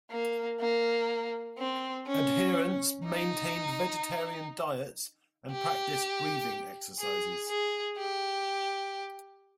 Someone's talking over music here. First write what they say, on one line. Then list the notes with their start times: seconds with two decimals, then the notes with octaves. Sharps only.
Adherents maintained vegetarian diets and practiced breathing exercises.
0.11 A#3
0.60 A#3
1.58 C4
2.07 C#4
3.06 D#4
5.51 G4
7.00 G#4
7.49 G#4
7.98 G4